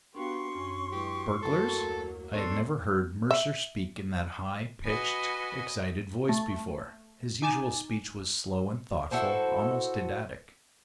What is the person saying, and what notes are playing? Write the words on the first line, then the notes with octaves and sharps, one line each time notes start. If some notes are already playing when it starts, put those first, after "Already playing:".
"Burglars?" I had never heard Mercer speak in that high-pitched, excited voice before; his usual speech was slow and thoughtful, almost didactic.
B3 D4 F#4 G4 F5 C6 C#6
F#2 C#4
F#3 G#3 E4 G4 B4
F#3 A3 A#3 A4
D#2
B3 D4 A4 C#5 C6
E5
F#4 B4 D#5 G#5 B5
A3
D#4 G#5 D6 A6 E7
E4 F#4 A4 C5